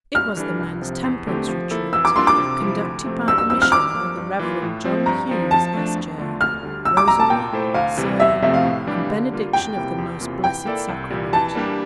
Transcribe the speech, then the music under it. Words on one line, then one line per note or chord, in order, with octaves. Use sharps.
It was the men's temperance retreat conducted by the missioner, the reverend John Hughes S. J., rosary, sermon and benediction of the Most Blessed Sacrament.
G2 F6
E3 G3 D4 A4
C2
C3 F3
E2
D3 A3 C4 G4
F3
A#3 E4 A4
E3 E6
D6
G3 A#3 D4 F4 C6
D6
C3
F3 C4 E4
D2
C3 F3 A3 C4
G2 E6
E6
F3 C4 E4 E6
F6
G2 D6
F3 A#3
G2
E3 A#3 F4
A2
F3 C4
G2 A#5
F3 C4
F3 A5
A3 D4
E2
D3 A3 D4 F4
D2 F6
D3 G3 D4
D2 E6
D6
C3 G3 A#5
A5
A#2 G5
A3 E4 A4 C5
D2 F5
C3 E3 G3
E2 E5
C3 F3 A3 C4 E5
F5
A2
E3 G3 D4 G4
D3
G3 A#3 F4
E2 G5
C3 G3 A#3 E4
E2
C3 E3 A#3 F4
E3 G5
A#3 E4 A4 D5
C2
A#2 G3
E3 A5
G3 A#3 D4 G4